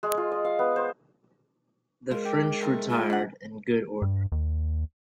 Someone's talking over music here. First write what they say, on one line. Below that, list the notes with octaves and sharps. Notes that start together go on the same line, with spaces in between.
The French retired in good order.
G#3
F4
D#5
F5
B3
C5
G#3 F4 A#4
G4
A3 C4 D#4
F4
D4 F#5
G2
D#2